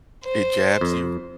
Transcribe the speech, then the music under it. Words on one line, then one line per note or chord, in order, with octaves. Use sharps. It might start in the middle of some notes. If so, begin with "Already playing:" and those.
It jabs you.
C5
F2